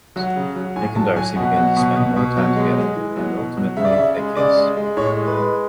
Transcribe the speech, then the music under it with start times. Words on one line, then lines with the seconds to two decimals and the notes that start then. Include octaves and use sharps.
Nick and Darcy begin to spend more time together, and ultimately they kiss.
0.16 F#3 F#5
0.36 C#3
0.56 F#3
0.76 A2 G#5
0.96 F#3 A5
1.16 F#3 G#5
1.36 B2 F#5
1.56 F#3
1.76 B2
1.96 B2
2.16 B2
2.37 F#3
2.56 G#3
2.77 G#3
2.96 E3
3.16 F#3
3.36 B2
3.57 F#3
3.76 C#3 E5
3.85 D5
3.92 C#3 E5
4.16 G#3
4.37 C#3 D5
4.57 G#3
4.77 G#3
4.97 A2 C#5
5.17 G#3
5.27 B4
5.37 G#3